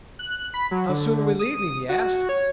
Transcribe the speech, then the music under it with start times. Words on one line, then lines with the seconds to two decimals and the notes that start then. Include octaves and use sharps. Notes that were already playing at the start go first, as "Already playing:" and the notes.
"How soon are we leaving?" he asked.
0.19 F#6
0.54 B5
0.71 F#3
0.89 D3
1.39 D#6
1.89 F#4
2.29 C#5